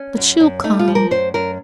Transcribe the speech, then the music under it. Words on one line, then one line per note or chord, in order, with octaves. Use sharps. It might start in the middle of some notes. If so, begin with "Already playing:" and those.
But she'll come.
Already playing: C#4
F#2
F#2
A3 D#4
F4
F3
A#4
F#2 C5
F#2 A#4